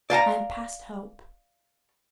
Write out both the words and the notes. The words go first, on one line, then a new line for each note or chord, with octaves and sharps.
I am past hope.
D5 F5 A5 A#5